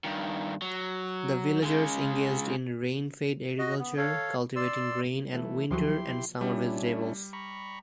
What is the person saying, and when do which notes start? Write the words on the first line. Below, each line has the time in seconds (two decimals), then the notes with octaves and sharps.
The villagers engaged in rainfed agriculture, cultivating grain and winter and summer vegetables.
0.04 G2 D#3
0.62 F#3
1.63 C#3 G#3
3.59 F#4 D#5
3.79 B3
3.97 A4 C#5 F5
4.56 D5 C6 E6
5.33 E3 A3
5.71 D2 F3 F#3 E4 G4 C6
6.41 G3 C#4 D4 E4
7.33 A#5 B5 C#6